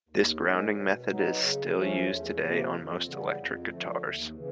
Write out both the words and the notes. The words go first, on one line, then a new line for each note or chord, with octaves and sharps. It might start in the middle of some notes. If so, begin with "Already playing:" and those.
This grounding method is still used today on most electric guitars.
D#2
D#3 G#3 C#4
B2
F#3 B3 D#4
C#3
F3 A3 C#4
E2
C3 F3 A#3
F2
C#3 E3 G3 B3
F2
D3 F3 A3
D#2
C#3 E3